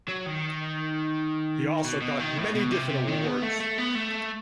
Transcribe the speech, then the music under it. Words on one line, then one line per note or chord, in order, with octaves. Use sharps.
He also got many different awards.
F#3
D#3
B2
B2
D#3
A2
B2
C3
C3
D#3
B3
A3
A3
B3
A3